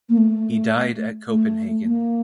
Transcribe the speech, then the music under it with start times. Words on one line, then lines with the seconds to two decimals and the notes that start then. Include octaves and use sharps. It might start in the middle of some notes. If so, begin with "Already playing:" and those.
He died at Copenhagen.
0.09 A#3
0.18 A3
1.28 A3
1.83 A#3